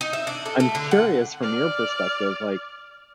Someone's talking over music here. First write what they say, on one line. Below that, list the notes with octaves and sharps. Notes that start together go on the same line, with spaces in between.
I'm curious from your perspective, like,
D#4
E5
D4
A4
A3
D3
F#5
D5 F6